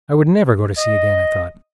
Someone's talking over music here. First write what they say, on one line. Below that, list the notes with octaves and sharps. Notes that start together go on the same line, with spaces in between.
I would never go to sea again, I thought.
D#5